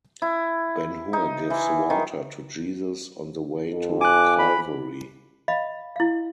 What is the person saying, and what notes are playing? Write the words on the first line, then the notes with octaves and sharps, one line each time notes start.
Ben-Hur gives water to Jesus on the way to Calvary.
E4
D#4
E3
D#3
F2
G#5 D6 F#6
B5
D#5 F5 B5
E4 F5